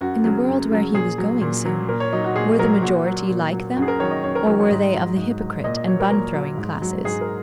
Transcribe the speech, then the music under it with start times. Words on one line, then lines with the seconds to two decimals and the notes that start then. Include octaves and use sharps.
In the world where he was going soon, were the majority like them, or were they of the hypocrite and bun-throwing classes?
0.01 F#2 F#4
0.24 C#3 F#3
0.48 F#2
0.71 C#3 F#3
0.94 A#2 G#4
1.18 F#3
1.41 A#2
1.65 F#3
1.89 A#2 A#4
2.00 C#5
2.12 F#3 D#4
2.24 F#4
2.36 A#2 G#4
2.59 F#3 A#4
2.82 A#2 F#4
3.06 F#3
3.29 A#2
3.53 F#3
3.77 F#2 F#4
3.82 G#4
3.88 A#4
3.99 D#3 F#3 C#5
4.11 D#5
4.24 F#2 C#5
4.35 A#4
4.47 D#3 F#3 A#4
4.59 C#5
4.70 G#2 D#5
4.93 F#3
5.17 G#2
5.41 F#3
5.64 A#2 D#5
5.76 D#5
5.87 F#3 C#5
6.00 A#4
6.11 A#2 A#4
6.34 F#3
6.58 G#2
6.82 F#3
7.05 G#2 G#4
7.21 A#4